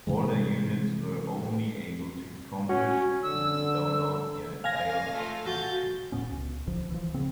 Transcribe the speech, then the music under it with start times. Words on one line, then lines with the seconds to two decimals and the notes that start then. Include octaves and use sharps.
Older units were only able to accomplish this download via a dial-up connection.
0.07 C3 E3 G#3
2.69 C#4 F#4
3.23 D3 E6
4.64 F5 G#5 A#6
5.13 A3 F4
5.46 F#4 G6 A6
6.12 D#1 A#2 B3 C#4
6.31 C#2
6.67 D1 C2 F3
6.90 E3 F3
7.14 D1 C#3 B3 C4